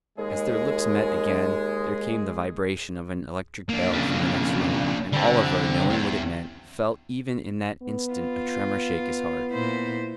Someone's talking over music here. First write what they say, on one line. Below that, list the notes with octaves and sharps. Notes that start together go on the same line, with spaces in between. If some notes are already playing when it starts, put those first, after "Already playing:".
As their lips met again there came the vibration of an electric bell from the next room, and Oliver, knowing what it meant, felt even in that instant a tremor shake his heart.
D#2 G#3 G#4
A#3 D4
F2 C#3
D3 G3 C4
E2
B3
F4
A#2 E4 C5